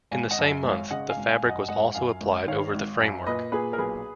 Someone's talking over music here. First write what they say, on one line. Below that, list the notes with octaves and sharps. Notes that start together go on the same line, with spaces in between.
In the same month, the fabric was also applied over the framework.
G#1 F5 G#5
D#5 F#5
F#2
G#1
C#5 F5
C#3 D#5 F#5
F5 G#5
G#1
F5 G#5
F#2
D#5 F#5
G#1 D#5 F#5
F#2 F5 G#5
G#1
D#3 C#5 F5
G#1
F#2
A#2 B4 D#5
A#2 G#4 B4
A#4
B1 G#4 B4